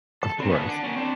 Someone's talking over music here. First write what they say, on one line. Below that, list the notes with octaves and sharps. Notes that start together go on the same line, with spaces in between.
Of course.
A4
D3 C4
A3 A#3 G#4 A#4 B4
D4 F#5
A#3 C#4
C4 D4